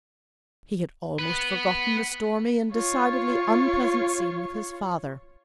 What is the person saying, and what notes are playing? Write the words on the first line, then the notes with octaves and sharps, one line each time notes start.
He had almost forgotten the stormy and decidedly unpleasant scene with his father.
B3 B4
F4 C#5